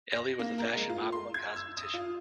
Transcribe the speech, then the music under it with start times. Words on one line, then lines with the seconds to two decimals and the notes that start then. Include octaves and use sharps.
Elly was a fashion model and cosmetician.
0.12 A#6
0.39 A#3
0.58 A#4
0.75 G#3
0.90 F4
1.12 C6
1.34 G#6
1.56 E6
1.77 D#6
1.94 F4